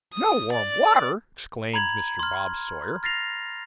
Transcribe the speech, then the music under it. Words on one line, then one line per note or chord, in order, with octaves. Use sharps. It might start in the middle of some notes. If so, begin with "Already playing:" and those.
'No warm water!' exclaimed Mr. Bob Sawyer.
D#6
D5
A#5 B5 G#6 F#7
C6 F6
F6 A6 A#6 C7 F7